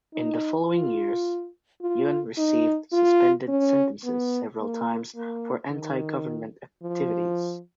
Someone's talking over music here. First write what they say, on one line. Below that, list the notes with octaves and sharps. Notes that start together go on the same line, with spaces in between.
In the following years, Yun received suspended sentences several times for anti-government activities.
D#4
F4
F4
D#4
F4
C#4
B3
A#3
A#3
D#3
F3